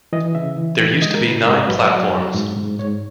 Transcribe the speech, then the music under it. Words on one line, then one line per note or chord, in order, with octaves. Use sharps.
There used to be nine platforms.
E3 D#5
C#3 E5
E3
E3
G#3 D#5
A#4
C#3 B4
G#2 A#4
F#3 B4
F#3
F#3
G#2
G#2
G#2 C#5